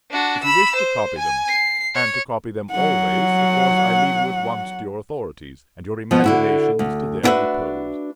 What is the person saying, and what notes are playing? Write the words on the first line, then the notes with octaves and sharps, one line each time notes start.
If you wish to copy them, and to copy them always, of course I leave you at once to your authorities, and your imaginations to their repose.
D4 F#4
B5 E6
C5
G#5
C7
C#5
F#3 F#5
F3 B3
D3 E4 F#4
D2
D4 E4 F#4 A#4 B4 E5